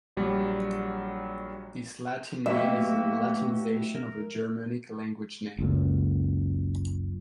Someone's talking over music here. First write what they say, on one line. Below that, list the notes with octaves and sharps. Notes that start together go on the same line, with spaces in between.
This Latin name is a Latinisation of a Germanic language name.
A#1 F#3 G3
A2 F#3 A#3 B3 F#4 G4 E5
A#4
F#1 C#2 F#2